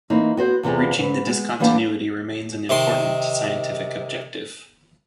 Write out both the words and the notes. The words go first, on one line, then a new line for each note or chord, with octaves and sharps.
Reaching the discontinuity remains an important scientific objective.
E3 A#3 C4 D#4
B3 F#4 C5
E2 C3 B3 F4 G#4
G#2 B4
G#3 B3
E3 G3 A#3 B3 C#4 D4
C3 D#3 C6